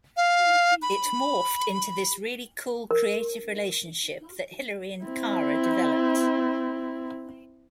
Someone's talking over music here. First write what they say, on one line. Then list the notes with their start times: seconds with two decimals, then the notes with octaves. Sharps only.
It morphed into this really cool creative relationship that Hilary and Kara developed.
0.17 F5
0.82 B5
2.91 A#4
5.05 C4 E4